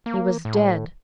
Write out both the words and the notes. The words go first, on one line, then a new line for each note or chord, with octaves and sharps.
He was dead.
A#3
A2